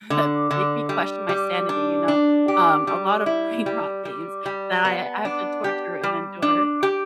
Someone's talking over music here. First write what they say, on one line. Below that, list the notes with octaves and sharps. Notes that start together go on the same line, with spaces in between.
that make me question my sanity, you know. Um, a lotta Brainrot games that I have to torture and endure.
D3
D3
G3
G3
D4
D4
G4
G3
E4
G3
G3
G3
B3
D4
G4
G3
D4
G4